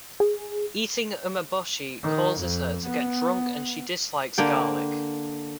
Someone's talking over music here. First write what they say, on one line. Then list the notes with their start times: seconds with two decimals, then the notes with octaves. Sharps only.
Eating umeboshi causes her to get drunk and she dislikes garlic.
0.20 G#4
2.03 D#3
2.41 F2
2.87 B3
4.38 D3 A#3 G5